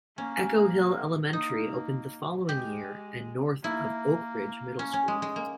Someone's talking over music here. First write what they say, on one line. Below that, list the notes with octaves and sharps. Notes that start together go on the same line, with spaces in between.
Echo Hill Elementary opened the following year and north of Oak Ridge Middle School.
A#3 C#4
A#3 D#4
G#3 G4
A#3 E4
C#4
C#4
G#3
G#3
A#3